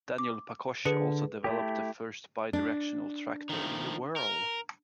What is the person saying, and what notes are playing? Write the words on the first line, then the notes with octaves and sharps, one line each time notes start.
Daniel Pakosh also developed the first bi-directional tractor in the world.
D6
D3 G#4 B4 C#7
A3 E4 G4
D4
D#3 F3 A3
A#4